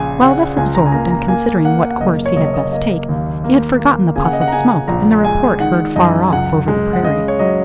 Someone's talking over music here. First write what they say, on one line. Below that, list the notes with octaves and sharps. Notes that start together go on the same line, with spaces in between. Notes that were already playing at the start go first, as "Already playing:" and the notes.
While thus absorbed, in considering what course he had best take, he had forgotten the puff of smoke, and the report heard far off over the prairie.
Already playing: A#1 C#3 G#5
C#3 F#5
C#2 G#5
A#5
G#5
A#3 A#5
A#5
A#3 G#5
A#3 F#5
F#5
F#1 D#5
C#5
F#1 D#5
D#5
A#3 D#5
D#2
A#3
A#3
C#3 G#5
F#5
D#5
F#5
A#5
C#3 G#5
A#1 A#5
G#3 G#5
D#3 F#5
F#2 D#5
G#5
C#2 F#5
G#3
F#5
C#3 D#5
C#5
F#3 D#5